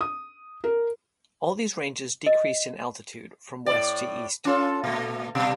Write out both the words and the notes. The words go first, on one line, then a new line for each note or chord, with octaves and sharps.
All these ranges decrease in altitude from west to east.
D#6
A#4
D#5
A2 D5
C#4 F4 A4
A#2 A3
B2 G3